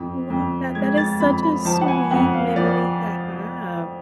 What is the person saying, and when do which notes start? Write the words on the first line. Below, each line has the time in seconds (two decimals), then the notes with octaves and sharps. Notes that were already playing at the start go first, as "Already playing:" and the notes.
Love that, that is such a sweet memory to have.
Already playing: F2
0.30 F2
0.75 G#3 G#6
0.97 A6
1.20 F2 B5
1.43 B5
1.65 F3 A5
1.81 F#5
1.88 G#5
2.11 F2 F#5
2.34 F5
2.56 F3 D5